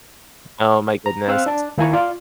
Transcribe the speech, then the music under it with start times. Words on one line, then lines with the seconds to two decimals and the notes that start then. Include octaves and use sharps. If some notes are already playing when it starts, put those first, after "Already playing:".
Oh my goodness.
1.06 A#5
1.28 C4 F5 E6 F#6
1.46 D4 A5
1.78 D#2 A#3 E4 G#5 A#5 C#6
1.93 F4 D5